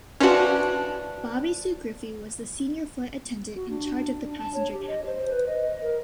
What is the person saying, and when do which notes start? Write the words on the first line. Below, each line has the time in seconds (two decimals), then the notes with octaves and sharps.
Bobbi Sue Griffey was the Senior Flight Attendant in charge of the passenger cabin.
0.20 E3 F3 C#4 D4 F#4
3.55 F#4
3.70 D4
4.23 D4
4.38 A5
4.54 C#5
4.73 G4
4.88 D#5
5.06 C5
5.30 B4
5.47 D#5
5.82 A#4